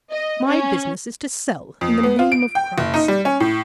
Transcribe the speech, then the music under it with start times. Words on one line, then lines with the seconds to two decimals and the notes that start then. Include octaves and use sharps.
My business is to sell in the name of Christ.
0.11 D#5
0.46 C#4
1.81 F2
2.03 B3
2.19 F4
2.32 D7
2.55 G5
2.78 F#1
2.94 D#4
3.08 G3
3.25 C#4
3.40 A2